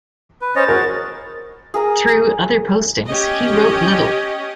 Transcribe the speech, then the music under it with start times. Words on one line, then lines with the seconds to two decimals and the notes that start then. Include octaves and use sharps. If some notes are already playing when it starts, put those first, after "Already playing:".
Through other postings he wrote little.
0.41 B4
0.56 C#4 C5 C#5 D#5 A6
0.68 F#4 G#4 A#4
1.74 G#4 A#4 A#5
3.07 C#4 G4 D#5